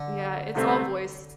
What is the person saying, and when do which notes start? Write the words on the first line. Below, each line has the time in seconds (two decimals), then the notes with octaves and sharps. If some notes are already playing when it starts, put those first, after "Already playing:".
Yeah, it's all voice.
Already playing: D3
0.55 C2 C3 A3 C4